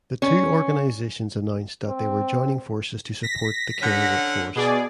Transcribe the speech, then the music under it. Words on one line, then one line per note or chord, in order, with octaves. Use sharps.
The two organisations announced that they were joining forces to support the care workforce.
C#4
C4
A#6 B6
D3 C#4 F#5
B2 G#4 D5